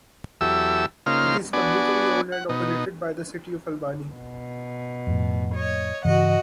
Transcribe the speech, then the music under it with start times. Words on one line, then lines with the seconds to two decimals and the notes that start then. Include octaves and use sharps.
It is publicly owned and operated by the City of Albany.
0.41 E2 F#3 G4 A4 E5 E6
1.06 C#3 A#3 D#4 F4 C5 F6
1.53 B3 D4 F#4 D5 G#5
2.32 F#5
2.49 B2 D#4
4.14 B2
5.07 F2 A2
5.56 C#5 D#5
6.05 G2 C#3 E3 F#4 D#5 F#5